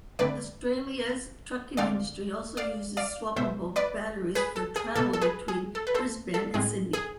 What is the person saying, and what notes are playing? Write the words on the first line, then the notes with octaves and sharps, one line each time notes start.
Australia’s trucking industry also uses swappable batteries for travel between Brisbane and Sydney.
D3 A3 C4 B4 D5
D3 G#3 C4 D5 F5
D5 F5
D5 F5
B2 G#3 B3 C5 E5
B4 D5
G#4 B4
A4
G#4
B2 B3 A4
A4
G#4 B4
G#4
A4
B4
A4 C5
A4
A2 G#3 C4 G#4
G#4